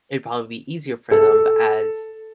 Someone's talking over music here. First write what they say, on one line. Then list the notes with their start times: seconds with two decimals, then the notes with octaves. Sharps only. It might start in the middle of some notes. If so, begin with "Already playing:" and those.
it'd probably be easier for them. But as
1.11 A4